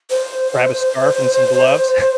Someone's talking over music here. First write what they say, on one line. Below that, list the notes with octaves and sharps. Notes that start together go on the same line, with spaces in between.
Grab a scarf and some gloves.
C5